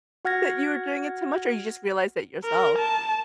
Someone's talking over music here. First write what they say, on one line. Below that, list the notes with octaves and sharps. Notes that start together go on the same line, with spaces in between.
that you were doing it too much, or you just realized it yourself?
F#4 F#5 F6 G#6 A#6
A#4
A5